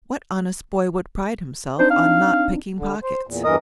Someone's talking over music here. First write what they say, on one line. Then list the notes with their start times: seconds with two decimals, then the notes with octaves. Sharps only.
What honest boy would pride himself on not picking pockets?
1.79 C4 D4 D#4 C5
1.91 F5
2.78 D3
3.03 C5
3.27 E2 A#2
3.44 E2 G2 E3 A#4 D#5 D#6